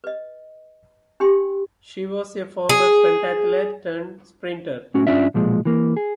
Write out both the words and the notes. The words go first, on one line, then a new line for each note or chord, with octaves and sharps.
She was a former pentathlete turned sprinter.
B4 D#5
D4 G4 G5 C6
G#4
A2 C#4 F#4
G2 D3 C#4 D4 F4 E5
B1 A#2 F3 G#3
E3 A#3
G#4